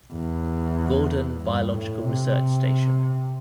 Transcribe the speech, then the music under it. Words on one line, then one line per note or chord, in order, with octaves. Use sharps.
Gordon Biological Research Station.
E2
G2
A2
C3